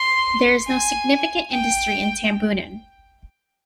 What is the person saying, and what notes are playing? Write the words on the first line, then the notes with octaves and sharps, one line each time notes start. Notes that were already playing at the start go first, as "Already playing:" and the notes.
There is no significant industry in Tambunan.
Already playing: C6
G#5
G5